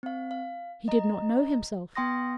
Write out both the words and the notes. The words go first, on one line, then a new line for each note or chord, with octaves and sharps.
He did not know himself.
C4 F5
F5
D#5 A#5
B3 G5 C6 D#6 A#6